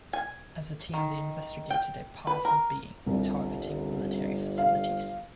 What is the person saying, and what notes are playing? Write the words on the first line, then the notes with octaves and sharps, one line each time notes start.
As a team, they investigated a powerful being targeting military facilities.
G#5
D#3
G5
B4
A#4
G1 C2
F5